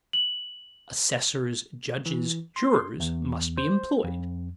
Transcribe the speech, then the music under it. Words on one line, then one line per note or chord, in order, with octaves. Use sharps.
Assessors, judges, jurors, must be employed.
F#7
E3
C6
E2
C5
F2